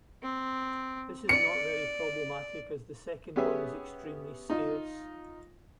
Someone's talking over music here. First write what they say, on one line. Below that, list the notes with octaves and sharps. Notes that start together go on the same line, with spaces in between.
This is not very problematic as the second one is extremely scarce.
C4
D5 C#7
B3 C#4 G4 G#4 E5
D#4 F4